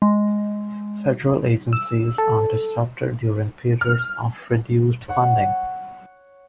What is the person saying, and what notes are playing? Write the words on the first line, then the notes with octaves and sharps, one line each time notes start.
Federal agencies are disrupted during periods of reduced funding.
G#3
E6
A4
F6
C#5 F#5 C#6